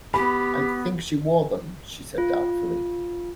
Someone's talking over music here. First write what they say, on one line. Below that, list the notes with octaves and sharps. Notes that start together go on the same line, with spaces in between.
"I think she wore them," she said doubtfully.
B3 G4 B5
F4